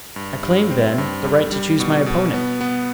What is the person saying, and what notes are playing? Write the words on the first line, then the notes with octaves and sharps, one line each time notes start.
I claim, then, the right to choose my opponent.
G2
G2
C4
G2
G3
G3
B2
B2
B3
B3